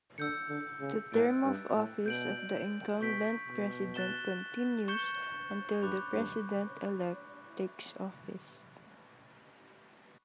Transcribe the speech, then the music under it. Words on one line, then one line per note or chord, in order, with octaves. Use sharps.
The term of office of the incumbent president continues until the President-elect takes office.
D3 E6 G6 C#7
D3
C#3
A2 F#6 A6 D7
G2
A2
B2 G6 D7 F#7
B2 C#6 G6 B6 D7
B2
F#6 A6 E7 G7
C#6 G6 C#7 E7 G7
G2 B5 D6 F#6
G2